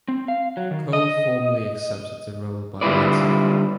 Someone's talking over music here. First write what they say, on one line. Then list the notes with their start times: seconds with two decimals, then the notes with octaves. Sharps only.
Cole formally accepted the role by letter.
0.08 C4
0.28 F5
0.57 F#3
0.71 D#3
0.93 D#5
2.81 D3 G3 E4 F4 B4 D5